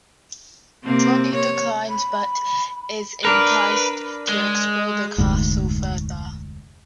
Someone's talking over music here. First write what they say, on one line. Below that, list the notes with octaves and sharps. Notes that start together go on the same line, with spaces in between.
Johnny declines, but is enticed to explore the castle further.
C3 A#3 C4
C#5
B5
D4 A#4 B4
G#3
F1 D2 G#2